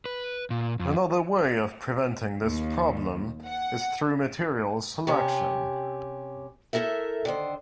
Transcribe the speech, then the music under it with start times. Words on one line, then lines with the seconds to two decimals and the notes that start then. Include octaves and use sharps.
Another way of preventing this problem is through materials selection.
0.06 B4
0.50 A#2
0.80 F2
2.44 D#2
3.46 F#5
5.07 C3 C#4 G4
6.73 A3 E4 A4 A#4 E5
7.25 D3 D#3 C5